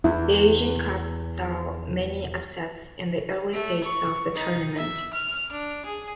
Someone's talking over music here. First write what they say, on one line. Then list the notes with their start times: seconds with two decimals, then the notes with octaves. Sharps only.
The Asian Cup saw many upsets in the early stages of the tournament.
0.04 E2 E4
3.52 A3
3.84 C#6
4.35 D#4
4.77 E5
5.13 F6
5.52 D4
5.85 G#4